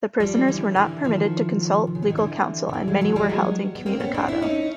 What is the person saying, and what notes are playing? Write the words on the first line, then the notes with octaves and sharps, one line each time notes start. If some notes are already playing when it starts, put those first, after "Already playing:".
The prisoners were not permitted to consult legal counsel, and many were held incommunicado.
F3 G3
D3 E3
D3 E3
D#3 F3
C3
C#3
D3
D#3
D3 E3
D#3
D3 E3
F#3 G#3
E3 F#3
F3 G3
F#3 G#3
B3
A#3 C4
B3 C#4
C4 D4
D4 E4
C#4 D#4